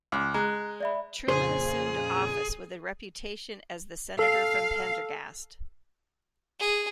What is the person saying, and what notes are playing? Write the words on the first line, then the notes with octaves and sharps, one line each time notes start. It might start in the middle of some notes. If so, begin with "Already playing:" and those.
Truman assumed office with a reputation as the Senator from Pendergast.
C#2 D6 F#6
G#3 A#5 F#6
D5 E5 B5
F2 A#2 C#3 G#4 C5
A4 F5
G#4